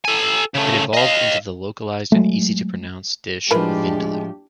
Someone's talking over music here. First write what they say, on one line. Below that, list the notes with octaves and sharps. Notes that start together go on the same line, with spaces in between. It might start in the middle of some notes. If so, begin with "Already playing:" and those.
It evolved into the localized and easy-to-pronounce dish "vindaloo".
A4 G#5
C#3 A3
D#5 F5
F#3 G#3 A3
A2 F3 G#3 D4 E4 G4 A#4 B4